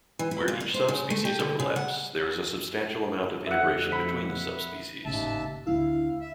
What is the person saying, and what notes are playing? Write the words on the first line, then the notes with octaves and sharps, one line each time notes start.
Where each subspecies overlaps there is a substantial amount of integration between the subspecies.
E3
E4
A#2
F4
C5
C#3
A3
G4
D3
C#3
F#5
F2 E5 F#5
B5
G#1 D#2 A2 C#3 E5 A5
D2 A#3 D4 E4 F5
E5